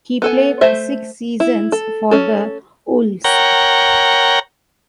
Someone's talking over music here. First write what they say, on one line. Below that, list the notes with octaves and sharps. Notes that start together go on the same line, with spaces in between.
He played six seasons for the Wolves.
B3 A4 G#5
A3 C5 E5
E4
A4
C#4 A4
A#4 C#5 F#5 G5 A#5